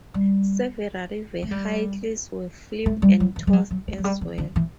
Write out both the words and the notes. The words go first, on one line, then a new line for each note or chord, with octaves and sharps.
Several vehicles were flipped and tossed as well.
G3
A3
G3
A3
G3
F#3
E3
G3
F#3
F#3
A3
F#3
G3
E3
D3
E3